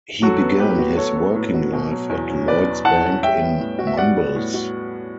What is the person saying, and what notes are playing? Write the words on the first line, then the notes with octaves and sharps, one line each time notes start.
He began his working life at Lloyds Bank in Mumbles.
F#3 F#4 A4
B3
A4
A2 G4 B4
F#4
F#3 A4 C#5
B3
A2
F#4
B2
F#3
E2
C#4
B2 B4 D5
F#3
E2 F#5 A5
C#4
G3 E5 G5
B3
A2
F#4
E5
G3 D5 F#5
B3
A2
F#4